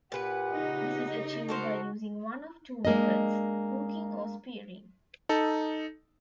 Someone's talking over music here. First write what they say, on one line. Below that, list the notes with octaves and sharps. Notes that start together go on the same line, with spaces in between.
This is achieved by using one of two methods, hooking or spearing.
A#2 G4 B4 F#5
C#3 D#4
F#4 A4 A#4 C5
G#3 A#3 D4 D#5
D#4 A4